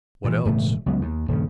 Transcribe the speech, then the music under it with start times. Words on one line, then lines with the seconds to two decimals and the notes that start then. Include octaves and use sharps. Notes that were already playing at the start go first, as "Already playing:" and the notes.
"What else?"
0.24 A#2 D#3 E3
0.45 E1 A2 C#3 A3
0.86 C#2 F#3 B3
1.01 D#2
1.28 D#1 G2 C#3